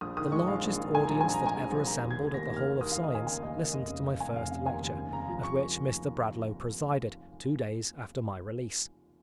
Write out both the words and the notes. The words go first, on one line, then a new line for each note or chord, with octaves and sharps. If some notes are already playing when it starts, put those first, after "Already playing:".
The largest audience that ever assembled at the Hall of Science listened to my first lecture, at which Mr. Bradlaugh presided, two days after my release.
A#1 D#6
D#3 D#6
G#3 C#6
A#1 F5
A#1
D#3
D#3 G#5
A#1 A#5
A#1 G#5
A#5
G#3
G#5
A#1
A#1
A#3 A#5
D#2
G#6
D#2
D#2 A#6
D#2
F6
D#2
D#2 D#6
F5
A#3
D#5
D#2 G#5
C#3 G#5
D#2 D#5
A#3 D#5
F1 D#5
C#3
C#3
F1 G#5
F1 F5
C#3 F5
D#2 G#5
D#2
C#3
C#3 A#5
F3 A#5
C#6